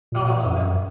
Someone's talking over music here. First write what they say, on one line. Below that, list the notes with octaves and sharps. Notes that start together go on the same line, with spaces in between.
Oh, I love it.
A#2
F#2